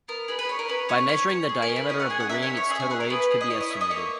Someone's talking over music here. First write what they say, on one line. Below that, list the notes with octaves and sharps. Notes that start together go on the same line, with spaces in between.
By measuring the diameter of the ring, its total age could be estimated.
B3 A#4
G#4 B4
B4
B3 C#5
A#4
C#4 B4
C#4 C#5
C#4 C#5
C#4 C#5
G#4
A#4
C#4
B4
C#4 D#5
F#5
G#4 G#5
F#5
A#3 E5
C#5
C#4
C#5
G#4 E5
G#5
G#4 F#5
A#4
B3 B4
G#4
D#5
E4 C#5
D#5
B3 E5
D#5
A#3 C#5